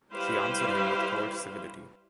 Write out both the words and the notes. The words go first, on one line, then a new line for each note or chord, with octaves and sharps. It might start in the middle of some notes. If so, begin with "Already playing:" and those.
She answered him with cold civility.
G3 E4 G4 B4 C5 F5